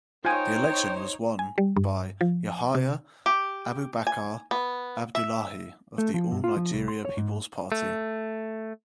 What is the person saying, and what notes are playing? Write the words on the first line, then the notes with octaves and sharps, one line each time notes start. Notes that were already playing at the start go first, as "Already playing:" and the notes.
The election was won by Yahaya Abubakar Abdullahi of the All Nigeria Peoples Party.
D#4 F4 C5 C#5 G5 G#5
G#5
G3
G2
F3
C3
G4
G#5
B3
E5
A3
F3
G2
F4
F3
C2
C6
C#5
G#2
A3